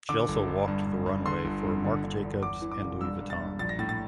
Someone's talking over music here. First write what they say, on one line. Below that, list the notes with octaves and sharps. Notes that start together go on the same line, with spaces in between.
She also walked the runway for Marc Jacobs and Louis Vuitton.
D3 D6
G1
G1
G2
G2
G2
D3 C6
G1
G2
D3
D3
E2
E2 D6
E3
D6
E1
G2 E6
G2
A6
G2
A#1 A6
A#6
A2 A6
A6